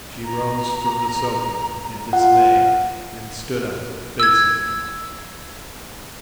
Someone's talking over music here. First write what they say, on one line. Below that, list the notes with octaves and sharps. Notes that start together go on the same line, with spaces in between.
She rose from the sofa in dismay and stood up facing him.
A#5
F4 F#5
E6 G#6